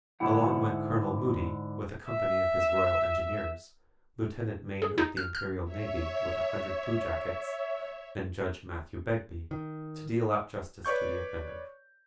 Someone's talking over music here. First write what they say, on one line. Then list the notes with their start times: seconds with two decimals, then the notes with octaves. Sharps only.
Along went Colonel Moody, with a company of his Royal Engineers, Lieutenant Mayne of the Imperial Navy with a hundred bluejackets, and Judge Matthew Begbie, to deal out justice to the offenders.
0.20 G#2 D3 E4 F#5
2.11 E5
4.82 G#4
4.98 D#4
5.17 F6
5.35 F6
5.64 C#5 E5
9.51 D#3
10.85 B4 C#5 D5 C#6 G6